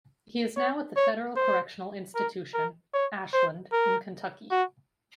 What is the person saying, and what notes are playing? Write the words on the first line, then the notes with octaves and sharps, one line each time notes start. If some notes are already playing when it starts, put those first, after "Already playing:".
He is now at the Federal Correctional Institution, Ashland, in Kentucky.
C#5
C#5
C5
A#4
A#4
C#5
C5
A#4
F#4